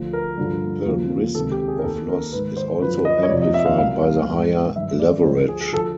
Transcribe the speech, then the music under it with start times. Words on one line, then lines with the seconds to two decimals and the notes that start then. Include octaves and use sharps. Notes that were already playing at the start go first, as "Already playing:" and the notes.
The risk of loss is also amplified by the higher leverage.
Already playing: D2 D3 F3
0.13 A#4
0.38 G2 D3 F3
0.86 D#2 C#3 F3
1.35 C#2 C3 D#3 A4
1.52 G4
1.68 G#4
1.78 A#4
1.84 D#2 D#3 A4
2.09 A#4
2.32 G#2 D#3 B4
2.57 C5
2.81 F#2 D3 F3 B4
3.05 D#5
3.23 C#5
3.29 F2 C3 F3 D5
3.42 D#5
3.54 E5
3.66 F5
3.78 C2 B2 F5
4.03 F5
4.27 G#2 E3
4.76 G2 D#3 E5
5.00 D5
5.24 D2 D3 F3 C5
5.49 G#4
5.61 G#4
5.72 D3 F3 A4